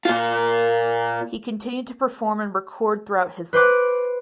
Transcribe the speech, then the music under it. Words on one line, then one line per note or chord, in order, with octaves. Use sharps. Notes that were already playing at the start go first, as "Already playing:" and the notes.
He continued to perform and record throughout his life.
A#2 F4
B4 C5 C6 D6 F#6